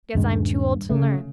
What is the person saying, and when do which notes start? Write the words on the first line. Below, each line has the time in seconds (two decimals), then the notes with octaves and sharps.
Guess I'm too old to learn.
0.15 D#1 G2 G#3
0.90 C#3 A3